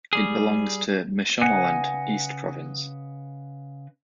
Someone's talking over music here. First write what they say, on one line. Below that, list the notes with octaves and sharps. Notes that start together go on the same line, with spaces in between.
It belongs to Mashonaland East province.
G3 G#4
C#3 B4 D#5 F#5 G#5